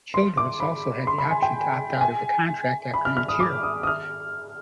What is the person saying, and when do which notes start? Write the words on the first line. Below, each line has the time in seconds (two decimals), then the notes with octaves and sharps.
Childress also had the option to opt out of the contract after each year.
0.14 C6
0.37 D6
0.60 B5
1.07 C6
1.18 B5
1.31 G#5
1.42 G5
2.01 G#5
2.94 B5
3.05 F6
3.17 F6
3.28 D#6
3.40 D6
3.63 D#6
3.83 D#6
3.87 F6